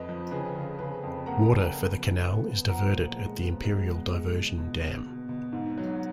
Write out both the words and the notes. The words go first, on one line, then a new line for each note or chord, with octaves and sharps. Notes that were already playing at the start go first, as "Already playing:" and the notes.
Water for the canal is diverted at the Imperial Diversion Dam.
Already playing: F2 B4 D#5
F3
C#3 G#4 B4
C#3
C#3 G#4 B4
F2
A#3 F#5 A#5
C#3
B3
F3
B3
B3
F3 F#5 A#5
A#2
G#3
B3
G#3
B2
G#3
B2
B2
B2
B2
B2
G#2
F#3